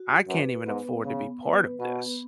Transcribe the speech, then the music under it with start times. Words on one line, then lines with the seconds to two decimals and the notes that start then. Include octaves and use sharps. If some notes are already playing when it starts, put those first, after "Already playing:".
I can't even afford to be part of this,
Already playing: F#4
0.28 F#2 B4
0.66 G#2 B3
1.04 C#3 B3
1.42 B4
1.79 B2 B3